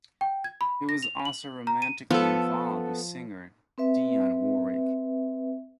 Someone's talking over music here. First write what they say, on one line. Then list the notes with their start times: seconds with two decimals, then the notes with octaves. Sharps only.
He was also romantically involved with singer Dionne Warwick.
0.21 G5
0.44 G#6
0.61 B5
0.89 A#6
1.03 F7
1.25 F#7
1.67 A#5
1.82 D#7
2.10 F3 B3 A4
3.78 C4 B4 E5